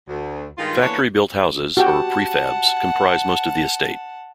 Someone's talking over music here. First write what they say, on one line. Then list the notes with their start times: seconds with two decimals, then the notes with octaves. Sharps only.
Factory built houses, or prefabs, comprise most of the estate.
0.08 D2
0.57 G2 D#3 G#3 F4
0.82 E3 A#3 B3 D4 A4 C#5
1.77 F#4 G4 F#5 G5 A5